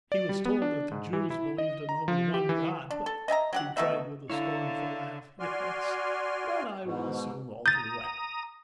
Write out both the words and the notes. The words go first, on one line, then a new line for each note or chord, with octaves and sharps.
He was told that the Jews believed in only one God, but he cried with a scornful laugh, 'Yes, but I will soon alter that!'
D5
G3
B3
D4
G#2
E3
E4
D#5
A#5
F3
G4
E3
D4
A4
D#5 E5 G#5 A#5
F#3 G4 F#5
B2 A3 D#4 E5
D3 E4 C#5 E5 F5 A#5
F#4 D5 G#5 C6 F6
G#2 B2
A#5 D#6 G6 A6